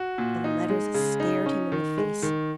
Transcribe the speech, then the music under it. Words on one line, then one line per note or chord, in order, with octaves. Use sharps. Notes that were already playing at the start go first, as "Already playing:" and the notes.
The letters stared him in the face.
Already playing: F#4
A#2
D#4
G#3
C#3
D#4
C#4
D#3
G#3
D#3